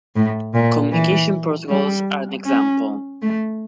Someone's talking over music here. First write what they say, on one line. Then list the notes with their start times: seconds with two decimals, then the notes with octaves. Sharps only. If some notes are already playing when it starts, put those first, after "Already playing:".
Communications protocols are an example.
0.16 A2
0.54 A#2
0.92 E3
1.69 G3
2.46 C#4
3.22 A3